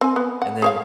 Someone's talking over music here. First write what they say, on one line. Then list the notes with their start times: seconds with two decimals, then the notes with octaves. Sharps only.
and then
0.01 C4 G#5
0.16 B3
0.42 F#5
0.62 G#4 C#5 F5